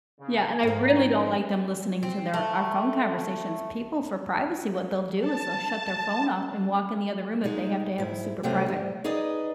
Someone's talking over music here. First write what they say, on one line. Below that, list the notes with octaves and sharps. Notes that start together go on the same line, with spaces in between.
Yeah, and I really don't like them listening to their our phone conversations. People for privacy, what they'll do is they'll shut their phone off and walk in the other room if they have to have a super private,
C#3
G#2 F3 G5 A#5
C4
A3
A5
G#3 D#4 G#4
G#2 E4
C3 F#3 A3 C4 C#4
G#2 G3
D#4 G#4 B4 D5 D#5